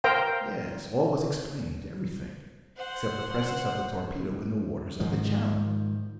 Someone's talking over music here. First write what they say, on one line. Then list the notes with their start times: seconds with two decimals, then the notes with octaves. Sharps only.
Yes! all was explained, everything--except the presence of the torpedo in the waters of the channel!
0.04 A#4 C5 F5 G5 A#5
2.77 C5 F#5
5.00 G#2 D#3 F3